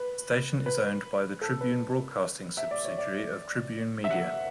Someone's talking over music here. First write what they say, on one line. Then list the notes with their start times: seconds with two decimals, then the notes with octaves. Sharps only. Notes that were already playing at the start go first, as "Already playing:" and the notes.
The station is owned by the Tribune Broadcasting subsidiary of Tribune Media.
Already playing: B4
0.66 B4
1.41 A4
1.61 B4
2.57 E5
2.71 D5
2.85 C#5
2.98 D5
4.04 E5
4.10 F#5